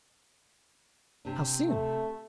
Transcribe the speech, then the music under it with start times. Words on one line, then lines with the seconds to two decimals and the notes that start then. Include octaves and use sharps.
"How soon?"
1.25 C3 D4
1.67 A3